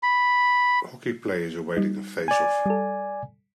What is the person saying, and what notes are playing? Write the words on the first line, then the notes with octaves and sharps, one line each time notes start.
Hockey players awaiting a faceoff.
B5
G3 D#4
D5 G#5
G3 A4